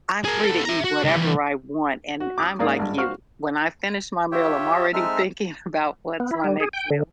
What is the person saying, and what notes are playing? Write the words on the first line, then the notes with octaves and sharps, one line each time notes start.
I'm free to eat whatever I want, and I'm, like, you. When I finish my meal, I'm already thinking about what's my next meal.
G#4 A#4
B3 A4
E5 A#5
F#4
C#2 G4
E3 G3
F#4
D6 D#6
G#2 A#3 D5 F5 D#6
G#1 G2
F#4 C5 F5 C#6 F6
F4 G4 C#5 E5 G5
G#3 C4 D#4 A4 E5 F6
B3
E4
G3
G#4
G5
D3